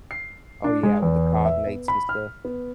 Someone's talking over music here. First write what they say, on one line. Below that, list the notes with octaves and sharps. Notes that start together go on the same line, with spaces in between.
Oh, yeah, with the cognates and stuff.
C7
D4
G#3
E2
E5
B3
B5
F6
B3